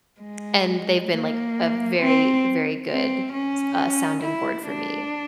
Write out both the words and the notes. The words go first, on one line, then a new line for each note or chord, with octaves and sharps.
and they've been, like, a very, very good s uh sounding board for me,
G#3
A#3
C4
C4
C#4
E4
D4